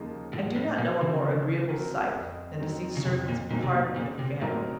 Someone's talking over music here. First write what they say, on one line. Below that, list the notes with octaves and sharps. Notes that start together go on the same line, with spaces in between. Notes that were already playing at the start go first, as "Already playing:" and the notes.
I do not know a more agreeable sight than to see servants part of a family.
Already playing: D#2 C#3 F3 A#3 D#4
A2 F3
A2
A#2 C4 F#4 A#4
C#3
F3
C4 F#4 A#4
F2
D#3 F#3 C4
C#3
F2 C3
A#2
A#2 D#3 F#3 C4
C3
A#2
A#2 C#3
C3
A2 F#3 C4 D#4 A#4